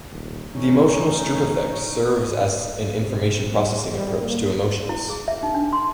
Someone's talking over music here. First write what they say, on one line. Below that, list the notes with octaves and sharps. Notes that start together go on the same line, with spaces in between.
The emotional Stroop effect serves as an information processing approach to emotions.
D#1
A1 C#4 D#4
C3
G3
G3
A#3
E4
G#4
E5
D#4
D4
C6